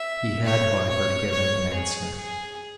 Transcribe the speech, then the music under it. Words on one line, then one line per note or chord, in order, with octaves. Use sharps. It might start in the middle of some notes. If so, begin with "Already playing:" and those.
He had, however, to give him an answer.
Already playing: E5
C#5
C#5
C#5
G#4
G#4